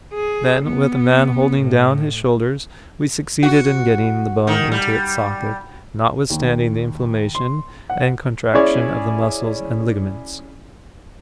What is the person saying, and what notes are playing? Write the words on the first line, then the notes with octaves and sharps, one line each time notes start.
Then, with a man holding down his shoulders, we succeeded in getting the bone into its socket, notwithstanding the inflammation and contraction of the muscles and ligaments.
G#4
B3
A2
F#4
D#3
G3
D#2
C6
F#5
C#4 E4 G#4 C#5 D5